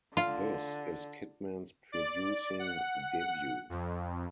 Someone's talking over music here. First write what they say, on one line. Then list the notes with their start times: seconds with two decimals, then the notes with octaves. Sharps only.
This is Kidman's producing debut.
0.17 D3 F4
1.92 D5
2.59 F#5
3.20 F#5
3.69 F2